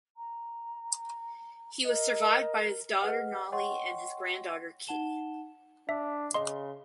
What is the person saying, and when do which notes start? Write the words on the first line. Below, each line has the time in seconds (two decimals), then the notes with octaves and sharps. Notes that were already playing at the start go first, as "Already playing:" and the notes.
He was survived by his daughter Nali and his granddaughter Kitty.
0.17 A#5
1.86 A#4 D#5
3.01 G#4 B4 D#5 F#5 F6
3.52 C#5 D#5 F#5 G5 C6 C#6
4.87 D#4 F#5 A5 E7 G7
5.89 D4 E5
6.34 C#3 D#5 C6